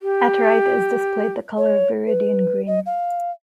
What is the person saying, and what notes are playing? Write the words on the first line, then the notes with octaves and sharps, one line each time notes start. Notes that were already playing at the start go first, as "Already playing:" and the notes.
At right is displayed the color viridian green.
G4
C#5
B4
D#5
F5